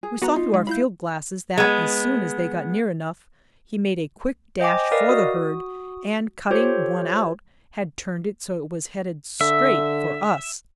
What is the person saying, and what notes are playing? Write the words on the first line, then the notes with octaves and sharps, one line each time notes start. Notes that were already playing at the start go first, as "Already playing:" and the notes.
We saw through our field glasses that as soon as they got near enough he made a quick dash for the herd, and cutting one out, had turned it so it was headed straight for us.
G#4
B3 F#4 B4 A#5
D#4 F4
G#3
E4 F5 B5 G6
G#3 B3
C5 D#5 G5 G#5 D6
A#4 B4 D5 D#5 F5
F#4 D#6
F4 G4 A4 C5 C#5
D3 E5